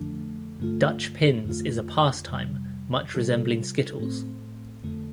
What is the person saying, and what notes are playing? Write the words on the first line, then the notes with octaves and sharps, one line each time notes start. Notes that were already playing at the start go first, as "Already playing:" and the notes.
Dutch-pins is a pastime much resembling skittles.
Already playing: F2 D3 F3 A3 D4
G2 D3 A3 F4
F2 D3 A3 F4
F2 C3 G3
C3 G3 F4 A4
A2 A3 C4
F2 D3 A3